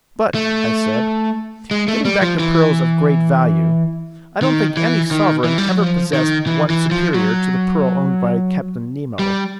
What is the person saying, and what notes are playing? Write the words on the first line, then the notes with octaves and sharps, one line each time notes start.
"But," I said, "getting back to pearls of great value, I don't think any sovereign ever possessed one superior to the pearl owned by Captain Nemo."
A3
G#3
A3
G3
F3
E3
D#3
E3
D#3
E3
G3
F#3
F3
D#3
E3
E3
F3
F#3
G3